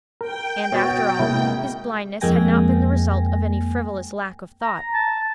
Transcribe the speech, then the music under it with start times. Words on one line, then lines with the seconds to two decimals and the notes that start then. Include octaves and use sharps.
And, after all, his blindness had not been the result of any frivolous lack of thought.
0.21 A#4 G5
0.72 B2 F#4 C#5 A6
1.19 C3 G#3 A#3 E4 A#4
2.21 F2 G#3 A#3 G5 G#5 A#6
4.62 A#5
4.94 A5